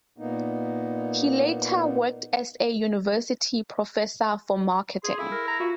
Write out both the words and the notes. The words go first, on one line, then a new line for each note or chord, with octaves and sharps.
He later worked as a University professor for Marketing.
A#2 A#3 B3 D#4
G#4 C6
E4 A4 F5 G#5
A#4
A#5
F4 F#4 F5